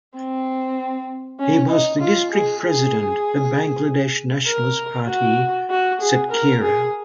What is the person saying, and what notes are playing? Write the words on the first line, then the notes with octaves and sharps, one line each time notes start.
He was the district president of Bangladesh Nationalist Party Satkhira.
C4
C#4
D#4
F4
G#4
G#4
A#4
F#4
F#4
G#4
A#4
G#4